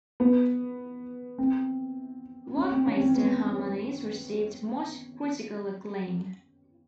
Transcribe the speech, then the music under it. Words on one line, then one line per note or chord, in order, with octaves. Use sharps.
"Werckmeister Harmonies" received much critical acclaim.
B3
C4
C#4
C4
C#4
C4
B3